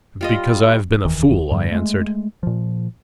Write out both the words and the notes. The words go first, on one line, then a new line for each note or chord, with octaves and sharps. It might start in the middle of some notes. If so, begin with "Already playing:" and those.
"Because I have been a fool," I answered.
G3 F4 D#5
F1 D#2 D#3 E3
G2 D3 F3 G3
G#3 A3
A#2 F3